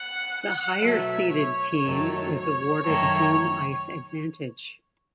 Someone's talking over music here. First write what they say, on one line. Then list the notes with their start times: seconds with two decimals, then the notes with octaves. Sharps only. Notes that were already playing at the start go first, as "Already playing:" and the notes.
The higher-seeded team is awarded home ice advantage.
Already playing: F#5
0.81 B2 F#3 A3 E5
1.32 C#5
1.83 F#2 D#3 F#3 A3
2.33 C#5
2.85 F#2 D#3 A3